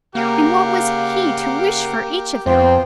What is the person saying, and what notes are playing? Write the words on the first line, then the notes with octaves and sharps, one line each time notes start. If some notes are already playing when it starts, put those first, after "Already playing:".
And what was he to wish for each of them?
C#3 A#3 G4 A#4 F5 F#5
F2 B3 C4 F4 C5